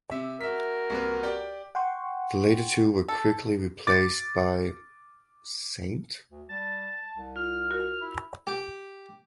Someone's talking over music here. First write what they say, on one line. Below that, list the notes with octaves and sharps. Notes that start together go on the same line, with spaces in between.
The later two were quickly replaced by St.
C3 E5
F#4 A#4 E5 B6
C2 A#3 B4
G4 D5 G5
F#5 G5 C6 C#6
A4
D6 A6
D2
G3 A5
C2
F4 F6
F#4 A#4
E4
G4